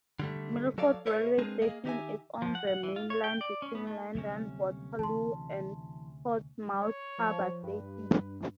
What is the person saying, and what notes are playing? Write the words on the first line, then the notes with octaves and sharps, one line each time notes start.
Milford railway station is on the mainline between London Waterloo and Portsmouth Harbour station.
D3 G3 A3
F#3 A4 C#5 D5 F5
A#4 B4 C#5 E5
G#3 C4 D4 G#4 A#4 B4
A#3 G#4 D#5 F5
D#3 D#4 G4 C5 E5 G#5
F3
F#5
F#5
E3
F4
C#5
G5
D5
C#4
B3
A3
D2 C3 F#3 G3 A#3 C#4
E3 A5 C6
C#5
F3
G2 B4